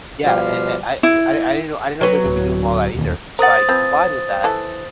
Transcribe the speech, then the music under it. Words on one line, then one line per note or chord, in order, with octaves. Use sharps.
yeah, I I I I didn't know I didn't know they're gonna be doing all that either. So I complied with that,
B2 F3 G3 F5
E4
F#3 B4
D1
E1 D#2
A#4 C5 F#5 D#6 A6
F3 C4 B4
E3 A4